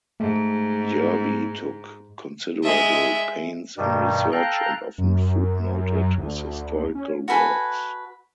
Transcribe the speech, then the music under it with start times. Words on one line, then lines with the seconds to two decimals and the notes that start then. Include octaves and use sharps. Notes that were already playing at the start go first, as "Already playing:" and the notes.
Yerby took considerable pains in research and often footnoted his historical works.
0.20 G#2 A3
2.63 G#3 E5
3.77 G2 B2 D#3 G3
4.32 A4 F5 G5 A#5 F#6
4.98 F#2
6.18 D2
6.95 C#4
7.28 F#4 A4 B4 G#5